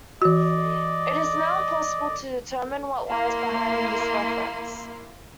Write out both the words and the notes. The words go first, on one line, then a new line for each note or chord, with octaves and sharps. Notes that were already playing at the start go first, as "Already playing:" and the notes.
It is now impossible to determine what lies behind this reference.
E3 F#4 D5 D#5
A#3 E4 C6